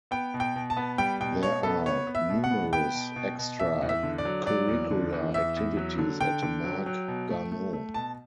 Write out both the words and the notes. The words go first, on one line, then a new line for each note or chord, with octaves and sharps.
There are numerous extra curricular activities at Marc Garneau.
B3 G5
B2
G5
B2
A5
B3
G3 G5
B2 G5
B2 C#5
B3 A4
B3 C#5
B3
E5
B2
F#5
B3
B3 G5
B2
B2
B2
E2 E5
E2
E5
D3
D5
F#3
F#3 D5
E2
D3
E2
E2 E5
E2
F#3
D3
D3 G5
D3
F#3
F#3
B2
A3
A3
A3
B2 A5